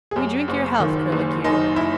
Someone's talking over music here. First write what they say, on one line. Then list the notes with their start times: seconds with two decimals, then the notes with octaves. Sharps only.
'We drink your health, Curlicue.
0.11 G#4
0.16 F#2 G4
0.48 F#1
0.80 D#3
1.12 F#1
1.44 F#2 D#4
1.76 E4